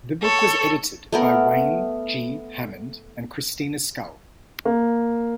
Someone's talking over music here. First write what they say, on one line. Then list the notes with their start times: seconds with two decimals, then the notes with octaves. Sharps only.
The book was edited by Wayne G. Hammond and Christina Scull.
0.22 A4 C#5
1.12 A3 B3 A#4
4.65 A#3